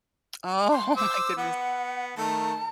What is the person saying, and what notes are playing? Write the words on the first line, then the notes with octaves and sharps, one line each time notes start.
Oh, my goodness.
C6
C5 D6 E6
B3 F#5
D#3 A3 A5